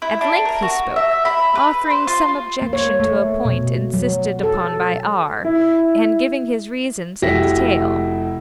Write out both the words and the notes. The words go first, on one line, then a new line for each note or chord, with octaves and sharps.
At length he spoke; offering some objection to a point insisted upon by R., and giving his reasons in detail.
E4
D4
A#4
F#4
E5
B5
B4
C5
F4
A#3
C#5
A3
B2
F#3
A4
E4
F1 E4 F#4 G4 A#6 B6